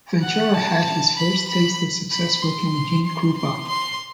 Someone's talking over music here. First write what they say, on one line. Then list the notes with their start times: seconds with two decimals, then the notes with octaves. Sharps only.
Ventura had his first taste of success working with Gene Krupa.
0.22 F#5
0.53 A5
1.17 B5
1.48 B5
2.11 B5
2.42 C6
3.05 C6
3.37 C6
3.68 C6